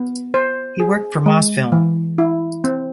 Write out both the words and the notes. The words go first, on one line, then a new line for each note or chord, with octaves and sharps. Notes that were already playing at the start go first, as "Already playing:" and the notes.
He worked for Mosfilm.
Already playing: B3
C5
G#4
G#3
E3
E4
C4